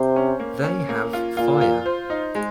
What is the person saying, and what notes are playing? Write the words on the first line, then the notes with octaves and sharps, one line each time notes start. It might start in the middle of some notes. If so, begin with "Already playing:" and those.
They have fire.
Already playing: C3 C5
C#4
A#3
C#4
A#3
F4
A#2 F4
F4
C5
D#4
G#3